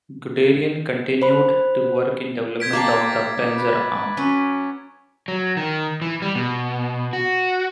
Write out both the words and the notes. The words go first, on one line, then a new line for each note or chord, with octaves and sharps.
Guderian continued to work in development of the panzer arm.
C5 B5
C5 G#6 B6 D7
A#3 G4 F5 A5 D6 A6
D#4
B4
F#3 C#4 B4
F#3
D#3
E3
G3
B2
F#4